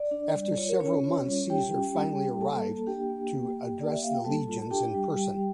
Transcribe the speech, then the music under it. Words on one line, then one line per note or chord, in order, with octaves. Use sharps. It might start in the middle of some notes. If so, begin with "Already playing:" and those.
After several months, Caesar finally arrived to address the legions in person.
Already playing: D5
D4
G3
F4 C#5
A#4
C#4 F4 C#5
F4
G3
F4 G4 G5
C#4
G3
G3
A#3 A4 A5
A#3
D4 G4 G5
A#3
A#3
A#3
A#3 D5
E5
A#3 F5
G5
G3 A4 A5
F4
A5
D4 G4 G5
G3
G3